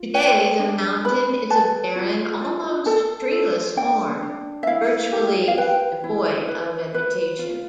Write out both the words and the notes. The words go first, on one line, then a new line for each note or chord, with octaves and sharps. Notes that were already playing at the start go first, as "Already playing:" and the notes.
Today the mountain is a barren, almost treeless form, virtually devoid of vegetation.
Already playing: F4
B4 G5
D4
B4 B5
B4 A5
F4
F4
A4 A5
A4
D4 G5
D4
E5
E4 F5
G4
F5
B4 G5
E4
B4
B4
F4